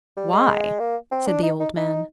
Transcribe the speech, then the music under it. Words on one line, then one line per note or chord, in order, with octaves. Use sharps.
"Why?" said the old man.
G3
G#3
A#3
C4
D4
D#4
D#4
D#4